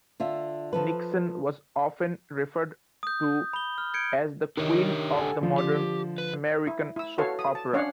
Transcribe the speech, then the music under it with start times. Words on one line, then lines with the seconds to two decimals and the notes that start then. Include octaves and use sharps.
Nixon was often referred to as the "Queen" of the modern American soap opera.
0.20 D3 F4 E5
0.73 F3 A4 B4
3.03 D#6 G6
3.53 B5 G7
3.78 F6
3.94 G6 G#6 C#7 D7
4.57 D#3 D4 D#4 G4 C#5
5.13 A4 F#5 G#5
5.41 D3 F3
5.58 G4
6.18 B4
6.67 E4
6.96 E4 E6
7.18 F#4 A4 B4 C#5 F5
7.39 D#6
7.55 A5
7.73 C#4 D4 C#5 F5 F#5